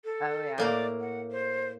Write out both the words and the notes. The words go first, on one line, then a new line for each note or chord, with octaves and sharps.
Oh, yeah.
A4
A2 A#3 D5 A#5
F#5
C5